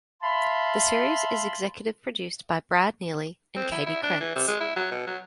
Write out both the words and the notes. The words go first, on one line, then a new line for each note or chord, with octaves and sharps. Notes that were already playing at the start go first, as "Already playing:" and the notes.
The series is executive produced by Brad Neely and Katie Krentz.
E5 F5 A5 B5 C6
C4
E4
E4
D4
E3
C3
G#3
E4
F#3
B2
F#3